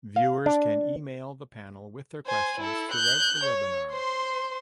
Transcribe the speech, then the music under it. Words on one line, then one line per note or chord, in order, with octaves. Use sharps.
Viewers can email the panel with their questions throughout the webinar.
F5
D4
C5 G#5
E4 A4
F#6 G6
C#5
C5 C6